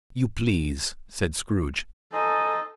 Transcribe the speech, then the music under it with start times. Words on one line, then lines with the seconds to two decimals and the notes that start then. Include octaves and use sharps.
"If you please," said Scrooge.
2.13 D#4 A4 C5 D#5 G#5